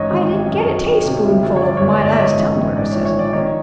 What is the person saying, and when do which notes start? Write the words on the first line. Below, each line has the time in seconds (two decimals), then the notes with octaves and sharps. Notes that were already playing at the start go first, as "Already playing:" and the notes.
"I didn't get a tayspoonful of my last tumbler," says another.
Already playing: A1 G#2 C#5 D#5
0.10 G#1
0.30 G#1
0.48 F#2
0.67 G#1
0.86 G#1
1.05 C3
1.24 D2
1.43 D2
1.56 C#5
1.62 G2 D5
1.77 G1 C#5
1.90 D5
2.00 G1
2.05 D5
2.12 E5
2.19 G#2 C#5 D#5
2.38 A1
2.57 A1
2.76 G#2 D5
2.91 A#1 C#5
3.05 C#5
3.14 A#1
3.19 D5
3.33 D#3 C#5 D#5